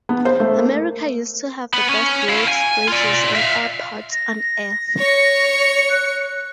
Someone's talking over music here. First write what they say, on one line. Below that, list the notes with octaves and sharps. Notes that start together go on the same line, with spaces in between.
America used to have the best roads, bridges, and airports on Earth.
B3
C5
A3
A#3
B3
C#4 C#5
E4 F5
G#5
F4 D5
E5 F5
A#6
C#5 C#7
F#6